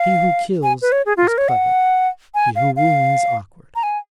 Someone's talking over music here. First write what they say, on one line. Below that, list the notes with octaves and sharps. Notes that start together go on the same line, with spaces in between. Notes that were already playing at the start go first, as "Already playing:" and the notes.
He who kills is clever, he who wounds awkward.
Already playing: F5
G#5
B4
C#5
G#4
F4
A#4
C#5
F#5
G#5
F5
F5
A#5
G#5